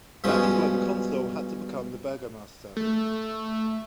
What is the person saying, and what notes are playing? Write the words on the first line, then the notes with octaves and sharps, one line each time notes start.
That is why the consul had to become the burgomaster.
G2 B2 E3 F3 G#3 C#4
A3